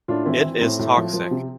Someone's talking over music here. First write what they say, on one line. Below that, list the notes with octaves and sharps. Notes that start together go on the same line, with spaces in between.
It is toxic.
A2 D4 F4
E3 C4 E4
E3
A2 C4
A2
F3
F3
C3